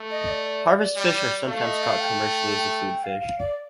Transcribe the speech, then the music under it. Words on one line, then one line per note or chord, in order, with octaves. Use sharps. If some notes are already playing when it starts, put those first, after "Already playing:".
Harvestfish are sometimes caught commercially as a food fish.
Already playing: A3
D#5
D5
G3
A3 F5
D#5
F5
G5
G5
F5
F5
D5